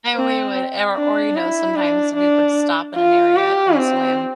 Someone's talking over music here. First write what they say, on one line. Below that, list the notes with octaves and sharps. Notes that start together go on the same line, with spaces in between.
And we would or or, you know, sometimes we would stop in an area and swim.
C4
D4
E4
D4
D4
F4
G4
C4